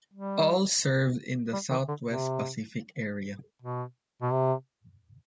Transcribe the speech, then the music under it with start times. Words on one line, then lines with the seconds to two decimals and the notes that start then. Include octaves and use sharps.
All served in the Southwest Pacific Area.
0.13 G3
1.53 G3
1.70 D#3
1.88 D3
2.05 C3
3.62 B2
4.22 B2
4.32 C3